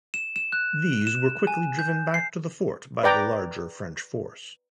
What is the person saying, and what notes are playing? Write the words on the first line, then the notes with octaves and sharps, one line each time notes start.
These were quickly driven back to the fort by the larger French force.
E7
E7
F#6
E7
G#5
G6
C7
B4 D5 G5 A#5 D6